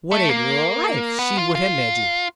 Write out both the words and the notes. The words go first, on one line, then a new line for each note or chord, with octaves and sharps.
What a life she would have led you!'
A3
A#3
B3
F4
F4